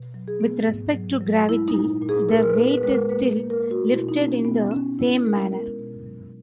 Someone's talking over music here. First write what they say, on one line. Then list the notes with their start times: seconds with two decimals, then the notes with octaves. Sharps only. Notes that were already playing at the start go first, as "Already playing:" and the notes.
With respect to gravity, the weight is still lifted in the same manner.
Already playing: B2
0.14 F#3
0.28 G#4
0.41 B3
0.67 G#2
0.94 F#3
1.21 F#3
1.48 G#3 E4
1.68 D#4
1.75 A#2
2.02 A#2
2.09 G#4
2.29 A#2 A#4
2.43 A#4
2.49 B4
2.55 B3
2.70 B4
2.83 G#3 B4
2.90 A#4
3.09 A#3 B4
3.37 A#3
3.50 A#4
3.64 A#3
3.71 F#4
3.91 B2 E4
4.09 D#4
4.18 B3 C#4
4.45 B2 B3
4.71 B2 C#4
4.99 B3 E4
5.25 G#3 A#4
5.52 B3 A#4
5.79 B2
6.06 F#3